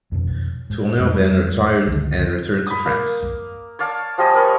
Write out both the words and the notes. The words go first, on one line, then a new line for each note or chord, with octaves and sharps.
Tourneur then retired and returned to France.
F2 B2
G#2
F2 G3 G#3
F#1 C#2 D3 D#3
B5 D#6
A#3
C#5 D5 F5 A5
F3 G3 D#5 G#5
A#4 B4 C#5